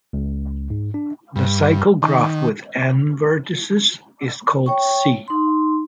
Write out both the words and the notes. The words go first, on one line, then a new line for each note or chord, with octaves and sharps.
The cycle graph with "n" vertices is called "C".
C#2
G#2
D4
G2
D#3
C#5 G5 C#6
D#4 C6